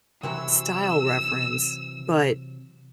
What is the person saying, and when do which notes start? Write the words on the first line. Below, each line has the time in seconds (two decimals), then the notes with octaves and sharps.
style reference, but,
0.23 C3 E3 F#3 E6